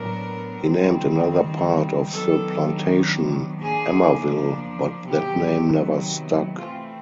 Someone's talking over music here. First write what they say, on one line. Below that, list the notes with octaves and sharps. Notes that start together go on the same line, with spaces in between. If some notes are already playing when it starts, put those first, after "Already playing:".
He named another part of the plantation Emmaville, but that name never stuck.
Already playing: A2 F#3 B3 D4 A#4
D#3 G3 C4
D#3 F#3 B3 D4 A4
F3 A#3 D4 G#4
C3 D#3 F#3 B3 G4
E3 A3 C4 F4